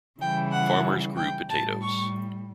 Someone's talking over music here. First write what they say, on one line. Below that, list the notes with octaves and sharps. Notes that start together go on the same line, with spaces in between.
Farmers grew potatoes.
C#3 E3 G3 G5
F#5
G5
A2 G3 A5
C#6